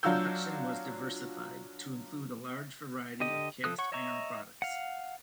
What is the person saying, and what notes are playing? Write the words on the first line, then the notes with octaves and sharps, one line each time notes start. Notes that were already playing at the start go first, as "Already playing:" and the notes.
Production was diversified to include a large variety of cast iron products.
F#3 D4 F4 F#4 E6 G6
D3 G4 D#5
F3 A4 D#6 F#6
C#5 F#5 C#6
C#5 D#5 E5 A#5 C#6
F5 F#5